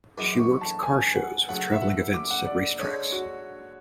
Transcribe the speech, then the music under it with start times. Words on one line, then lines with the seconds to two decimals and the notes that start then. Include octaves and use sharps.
She worked car shows with traveling events at race tracks.
0.18 F#2 E3 G#3 D6
0.39 C#6
0.61 A5
0.83 G#5
1.16 F#5
1.49 C#3 F#3 A3 F#5
1.72 E5
1.82 F#5
2.14 D6
2.30 F#5
2.47 D5
2.79 D3 G#3 C#4 C#5
3.12 F#4